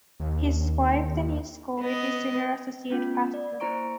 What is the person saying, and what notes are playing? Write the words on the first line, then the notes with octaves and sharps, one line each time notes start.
His wife Denise Goulet is Senior Associate Pastor.
D#2
B3 D#5
A3 B3 C#4 F4
D5
A#3 E4 C5 A#5 C#6 D7